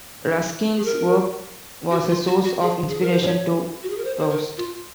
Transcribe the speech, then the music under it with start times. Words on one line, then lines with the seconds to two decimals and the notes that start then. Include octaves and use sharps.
Ruskin's work was a source of inspiration to Proust.
0.77 G#4
0.85 A#4
1.91 F#4
2.09 F4
2.27 F#4
2.44 F#4
2.62 G#4
2.89 G#4
3.01 A#4
3.12 C5
3.24 C#5
3.83 F#4
3.90 G#4
3.97 A#4
4.05 C5
4.19 C5
4.30 A#4
4.57 F4